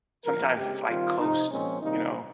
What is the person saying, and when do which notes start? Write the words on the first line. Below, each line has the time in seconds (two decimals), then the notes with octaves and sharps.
Sometimes it's like coast, you know,
0.24 A#2 F3 C4 A#4
0.55 C#3 G#3 C4 G4
0.87 D#3 G3 C4 F4
1.18 C3 F3 C4 D#4
1.50 A#2 F3 G#3 C4 C#4
1.81 C3 D#3 G3 A#3 D#4